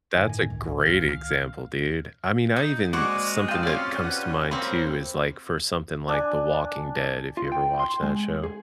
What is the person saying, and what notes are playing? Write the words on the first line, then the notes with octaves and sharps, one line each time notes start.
That's a great example, dude, I mean, I even something that comes to mind too is, like, for something like The Walking Dead, if you ever watch that show
G1 D#3 G#5
A2
C#2
D#2 F5
D#4
G#3 A#3 C4 F#4 D5 C#6
C5 D#5 F5 G5 A5
G3 C4 C#4 F4 C#5 D5
B4 F#5 F#6
A#3 C4 A4 C#5 B5
D4 G#5
F4
G5
C6
G#3
G#4